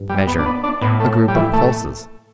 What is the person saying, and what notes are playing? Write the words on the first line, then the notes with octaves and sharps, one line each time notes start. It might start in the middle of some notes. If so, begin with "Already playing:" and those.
Measure: A group of pulses.
Already playing: G2
G3
B3
D4
B3
D4
A2 B3
A3
G3
E3
A3